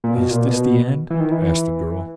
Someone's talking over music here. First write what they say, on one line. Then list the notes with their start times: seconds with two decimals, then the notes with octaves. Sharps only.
"Is this the end?" asked the girl.
0.04 A#2
0.14 B2
0.30 A#2
0.46 B2
1.10 E3
1.20 D#3
1.32 E3
1.42 E3